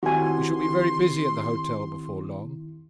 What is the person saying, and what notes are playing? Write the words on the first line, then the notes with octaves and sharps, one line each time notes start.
We shall be very busy at the hotel before long.'
D#3 C4 E4 F#4 G4 G#5 C6